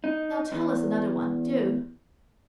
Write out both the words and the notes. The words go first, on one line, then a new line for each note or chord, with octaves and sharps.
Now tell us another one, do.
D#4
E2